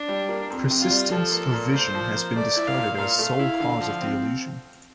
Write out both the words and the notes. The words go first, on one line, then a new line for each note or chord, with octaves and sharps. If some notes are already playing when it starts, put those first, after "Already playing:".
Persistence of vision has been discarded as sole cause of the illusion.
Already playing: D4
G3
A#3
F2
C3
F4
G3
F3 A4
A#3
A#2
A#2 C5
F3
A#3
A3 D5
E4
F5
A#2
A#2 F5
A3
E4
D3
F3
C4